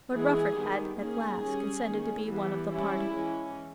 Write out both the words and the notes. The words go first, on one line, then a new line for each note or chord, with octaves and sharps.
Lord Rufford had at last consented to be one of the party.
E3 G#3 B3 G#4
D#3 G3 B3
D#3 A#3 C#4 G#4
G3 C#4
D#3 A#3 C#4
E3 G3 B3
G3 C#4 E4
E3 G#3 C#4